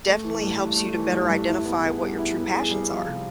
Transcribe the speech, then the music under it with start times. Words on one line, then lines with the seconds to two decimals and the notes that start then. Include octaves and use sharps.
definitely helps you to better identify what your true passions are.
0.06 A3
0.24 E3
0.41 G2
0.59 G2
0.76 A3
0.94 E3
1.12 G2
1.29 G2
1.47 E4
1.65 B3
1.82 G#4
2.01 G3
2.18 E4
2.36 B3
2.53 G#4
2.71 G3
2.89 F3
3.06 C3